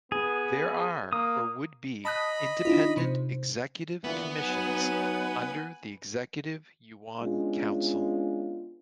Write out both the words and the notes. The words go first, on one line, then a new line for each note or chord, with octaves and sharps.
There are, or would be, independent executive commissions under the Executive Yuan Council.
B3 G#4
A#3 D#6
D#5 A5 B5 D#6 F#6
D4 E4 F4
D#4
C3 C5
D2 A#2 E3 B3
F#3 D#4 B4 F#5 G#5
G#3 B3 C#4 D4 F4